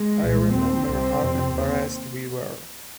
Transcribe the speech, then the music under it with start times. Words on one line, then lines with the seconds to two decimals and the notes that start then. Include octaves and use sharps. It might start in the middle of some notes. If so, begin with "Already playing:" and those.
I remember how embarrassed we were.
Already playing: G#3
0.22 C2 A#2
0.54 D#2 C4
0.87 C2 C3
1.19 F2 C3
1.52 D#2